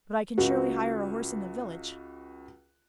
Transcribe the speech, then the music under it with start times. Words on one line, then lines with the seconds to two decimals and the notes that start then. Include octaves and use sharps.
"But I can surely hire a horse in the village?"
0.38 C#2 F#4